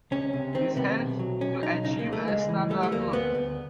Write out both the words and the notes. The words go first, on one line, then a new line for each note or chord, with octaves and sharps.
This helps to achieve a standard look.
C#2 C#4
C3
D#3 C4
C3 B3
B1
F#3
B1 C#4
B1 D#4
C#3 D#4
A#3
C#2
A3
C#2 G#3
E3
G3 A3
A3
D2 A#3
D2 B3
D2